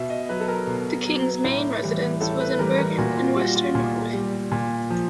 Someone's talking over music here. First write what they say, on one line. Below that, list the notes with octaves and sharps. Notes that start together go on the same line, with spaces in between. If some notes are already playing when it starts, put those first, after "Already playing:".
The king's main residence was in Bergen in Western Norway.
Already playing: B2 E5
D#5
F#3 B4
A4
A#4
B2
F#3
A2
E3 G3
A2 A4
B4
E3 G3 A#4
A#4
A#2 F#4
F4
G3 F#4
F4
A#2
G3
A#2
F3